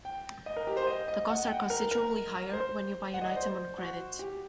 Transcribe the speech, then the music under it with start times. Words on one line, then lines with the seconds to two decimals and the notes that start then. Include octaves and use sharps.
The costs are considerably higher when you buy an item on credit.
0.05 G5
0.46 D#5
0.56 A#4
0.67 G4
0.77 C5
0.87 D#5
1.08 D#5
1.29 F#5
1.45 G5
1.50 F#5
1.70 A#4
1.91 A#4
2.53 C5
3.14 F#5
3.22 D#5
3.29 D5
3.36 C5
3.78 F#4
4.19 G4